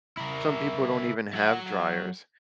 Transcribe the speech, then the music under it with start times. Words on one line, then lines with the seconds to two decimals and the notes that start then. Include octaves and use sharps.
some people don't even have dryers.
0.17 E4 A#4
1.34 F#3 F#5